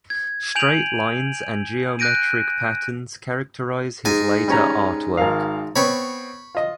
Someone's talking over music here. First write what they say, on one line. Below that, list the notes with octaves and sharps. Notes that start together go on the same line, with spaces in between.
Straight lines and geometric patterns characterize his later art work.
G#6
G#5 G6 D7 D#7 F7 F#7
F#6 G6 A#6 D7 D#7
G#2 G#5
G3 C#4 A#5
G#1 A#4 F5
B3 C4 C#5 B5 C#6
F4 D#5